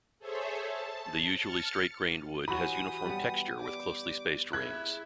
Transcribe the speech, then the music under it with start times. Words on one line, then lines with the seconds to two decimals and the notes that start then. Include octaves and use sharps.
The usually straight-grained wood has uniform texture with closely spaced rings.
0.19 G#4 A4 C5 C#5 E5
0.65 A5
1.36 F6 A6 C#7
2.48 E3 F#4 G4 C#5 G#5 B5 D#6
3.06 G3 B3
3.60 G4 D5 D6
4.53 E4 G#4 F#6 G#6